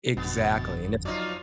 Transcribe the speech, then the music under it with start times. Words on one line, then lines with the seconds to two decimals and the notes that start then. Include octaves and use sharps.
Exactly, and it's
0.17 G1 F2 B2 B3 D4 A6
1.05 F3 F#3 D#4 F4 D5